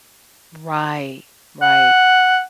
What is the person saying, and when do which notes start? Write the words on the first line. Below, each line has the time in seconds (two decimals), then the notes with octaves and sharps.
Right, right,
1.62 F#5